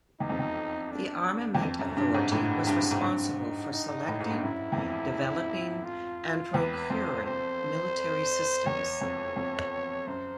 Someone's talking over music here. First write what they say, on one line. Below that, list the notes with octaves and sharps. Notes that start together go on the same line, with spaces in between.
The Armament Authority was responsible for selecting, developing, and procuring military systems.
E2 D#4
F2
E2
D4
E2
F2
F#2
F#2
G2
G#2
A2
G2
G#2
G2 C4
D#4
D#4
A2
G#2
G2
F#2 E4
E2
F2
F4
E2 B4
F2 C5
C5
E2 C#5
F2
F2
F#2 C5